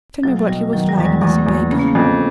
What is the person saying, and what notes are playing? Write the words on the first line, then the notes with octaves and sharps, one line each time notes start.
Tell me what he was like as a baby.'
B1 F#3
B2 G3
D#3 F#3
G3
E2 G#3
G3
E2 A3
A#3
E2
A#3
C#3 A#3
B3
A#3
F2